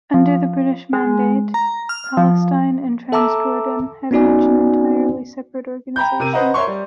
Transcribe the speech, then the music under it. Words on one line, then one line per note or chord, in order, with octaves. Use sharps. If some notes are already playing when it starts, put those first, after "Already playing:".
Under the British mandate, Palestine and Transjordan have each an entirely separate organisation.
F3
G#3
A#5
F6
F3
A4 E5 A5 A#5 D6 E6
B3 C#4 D#4 F#4 D5 G#5
G5 A#5 B5 G6
C3 A#4 D#7
B4 C5 D#5 F#5 A#5
A#4 C#5 E5 C6 C#6
G3